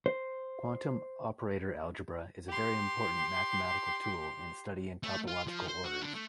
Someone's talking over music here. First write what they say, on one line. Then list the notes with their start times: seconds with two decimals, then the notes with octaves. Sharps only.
Quantum operator algebra is a very important mathematical tool in studying topological orders.
0.06 C5
2.49 G4 C6
5.03 A3
5.27 F4
5.47 F3
5.68 C5
5.84 F#4
6.02 D3
6.14 A3